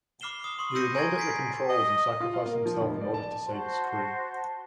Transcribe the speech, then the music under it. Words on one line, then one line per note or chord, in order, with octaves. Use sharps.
He remained at the controls and sacrificed himself in order to save his crew.
B5 D6 F6 C7 E7 G7
D#6
C6 C#6 D#6
E6 F6 G6 A#6 C#7 D#7
G#5 A#5 C#6 G#6 A6
G#6 B6 C7 D7
D#5
F4
F5
A#3
F3
F1
D5
A5
F#4 C5 A5 C6